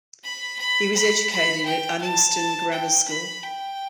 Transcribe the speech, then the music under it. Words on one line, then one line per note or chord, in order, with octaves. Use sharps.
He was educated at Uddingston Grammar School.
B5
B5
B5
B5
G5
A5
G5
B5
G5